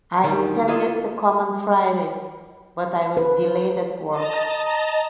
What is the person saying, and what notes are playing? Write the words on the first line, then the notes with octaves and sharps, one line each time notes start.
I intended to come on Friday, but I was delayed at work.
D2 D#3 G3
A#3 E4 F4 D#5
B4
D#5 A5 A#5